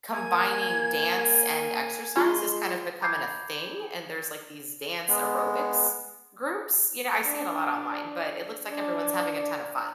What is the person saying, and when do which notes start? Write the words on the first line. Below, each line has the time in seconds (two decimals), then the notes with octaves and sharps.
combining dance and exercise is kind of becoming a thing, and there's like these dance aerobics groups, you know, I see it a lot online, but it looks like everyone's having a ton of fun.
0.14 A#3 G#5 G#6
2.17 G#3 F4 C6 C#6
3.01 A#5 B5 D6 G6 G#6 C7
5.08 G#3 B3
7.26 D4
8.69 D4